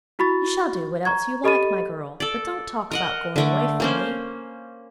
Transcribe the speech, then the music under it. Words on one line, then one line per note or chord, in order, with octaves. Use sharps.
'You shall do what else you like, my girl, but don't talk about goin' away from me.
E4 F#4 B5 C#6 A6
A#5 C#6 G#6
G4 A4 D#5 B5 A6 D#7
A4 D5
A#4 D#5 F#5
D3 A3 D5
A#3 C#4 C5